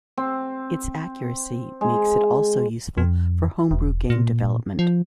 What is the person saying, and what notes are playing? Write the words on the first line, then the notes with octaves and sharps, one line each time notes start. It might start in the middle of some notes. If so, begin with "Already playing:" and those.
Its accuracy makes it also useful for homebrew game development.
C4
G#3
F2
E1
A#2
F3